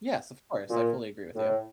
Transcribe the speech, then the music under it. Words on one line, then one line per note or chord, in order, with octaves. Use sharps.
Yes, of course, I fully agree with you.
A#2
A2